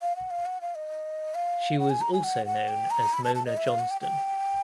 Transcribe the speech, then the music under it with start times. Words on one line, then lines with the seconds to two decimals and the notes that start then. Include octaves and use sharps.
She was also known as Mona Johnston.
0.02 F5
0.16 F#5
0.31 F5
0.46 F#5
0.61 F5
0.75 D#5
1.35 F5
1.79 F#5
1.90 G#5
2.01 A#5
2.13 G#5
2.24 F#5
2.46 F#5
2.68 G5
2.91 A#5
3.13 B5
3.24 A5
3.35 A5
3.46 D#5
3.57 E5
3.68 F5
3.80 F#5
3.90 G5
4.01 G5